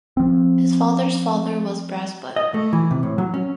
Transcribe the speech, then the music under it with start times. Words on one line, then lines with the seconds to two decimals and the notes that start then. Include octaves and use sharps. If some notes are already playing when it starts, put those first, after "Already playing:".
His father's father was a Brass Butt.
0.17 F3 C4
2.36 D#5
2.54 A3
2.73 E3
2.91 C3
3.03 A2
3.18 F#3
3.34 C#4